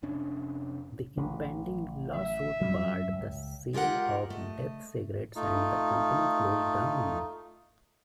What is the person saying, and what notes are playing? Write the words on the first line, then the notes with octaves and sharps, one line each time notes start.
The impending lawsuit barred the sale of Death cigarettes and the company closed down.
F1 C3 C#4 D4
A1
E5
F#3 G3 C#4
C#2
G#3 F4 G4 A#4 F#5
A3 D#5
A3 D#4 F4